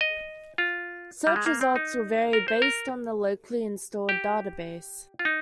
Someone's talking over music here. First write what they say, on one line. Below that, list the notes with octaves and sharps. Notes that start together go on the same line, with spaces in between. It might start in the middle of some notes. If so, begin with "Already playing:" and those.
Search results will vary based on the locally installed database.
D#5
F4
G3
G#3
A#3
C4
D#4
A#4
C5
A#4
G4
F4
D#4